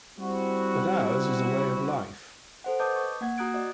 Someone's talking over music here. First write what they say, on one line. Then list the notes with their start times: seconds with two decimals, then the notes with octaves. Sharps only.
But ours is a way of life.
0.18 G3 C4 E4 F#4
2.64 A4 C5 F#5
2.80 B4 D#5 A5 D6 D#6 G6
2.95 C#6
3.21 A#3 F#5 G#6
3.38 F#4 A#5 D#6 F#6 G#6 D7
3.54 F#4 D5 D#5